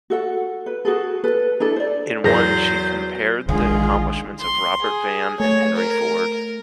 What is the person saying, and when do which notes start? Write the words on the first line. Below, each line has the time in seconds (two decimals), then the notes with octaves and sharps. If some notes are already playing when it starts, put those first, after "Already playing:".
In one, she compared the accomplishments of Robert Vann and Henry Ford.
0.10 F#4 A4 F#5
0.66 B4
0.85 F#4 G#4 A4
1.24 A4 B4
1.60 D4 E4 A4
1.76 C5 D5
2.24 E2 F#3 G#4 A#4 C5 A#6
3.49 A#1 D3 D#3 G#3 F4 G#4
4.40 C6
4.82 G#4
5.40 A3 C#5
5.75 A#4